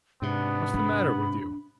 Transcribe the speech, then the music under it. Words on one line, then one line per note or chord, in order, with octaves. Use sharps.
'What's the matter with you?'
G#2 C3 B3 D4
D4 B5